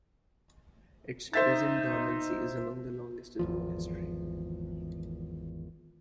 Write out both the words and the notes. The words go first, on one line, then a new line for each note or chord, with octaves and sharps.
Its present dormancy is among the longest in known history.
D#4 C5 E5 A6
G#1 E2 F3